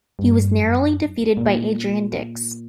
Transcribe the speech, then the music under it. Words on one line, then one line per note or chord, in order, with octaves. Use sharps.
He was narrowly defeated by Adrian Dix.
G2
F#2
A#2